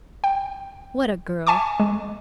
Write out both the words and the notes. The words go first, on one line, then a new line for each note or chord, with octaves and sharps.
What a girl!
G5
E5 G#5 A5 C#6 D6
G#3